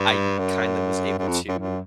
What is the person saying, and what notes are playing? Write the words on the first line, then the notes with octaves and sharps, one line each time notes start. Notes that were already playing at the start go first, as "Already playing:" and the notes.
I kinda was able to
Already playing: G2
F#2
F#2
F2
F#2
F#2